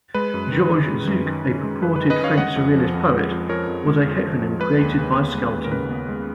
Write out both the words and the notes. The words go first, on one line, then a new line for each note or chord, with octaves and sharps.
Georges Zuk, a purported French surrealist poet, was a heteronym created by Skelton.
G#3 B4
F#2
D#3
C#4
G#3
F#2
D#3
C#4
G#3
F#2 B4
B4
D#3
B4 D#5
C#4
C#5 F5
G#3 D#5 F#5
F2
F3
F2
G#3
F2
F3 A#4 C#5
F2
G#3
F2
F3
F2
G#3 B4
D#2
C#3
B3
G#3
D#2
A#4
C#3 B4
B3
G#3